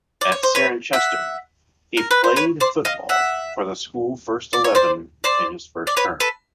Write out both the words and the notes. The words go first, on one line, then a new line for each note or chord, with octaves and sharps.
At Cirencester, he played football for the school first eleven in his first term.
D5
C#5
C5
B4 C#5
E5 F#5
A#4
B4
C5
B4 C#5
C5 D5
D#5 F5
E5 F#5
D5
C#5
C5 D5
C5 D5
D5
B4 C#5
A4 B4